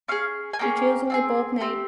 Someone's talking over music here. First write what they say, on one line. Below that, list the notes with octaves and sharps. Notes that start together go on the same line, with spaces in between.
He trails only Bob Knight.
C#4 G#4 F5
G#5
A#3 C#4 G#4 G5
C4 F4 G#4
C4 G4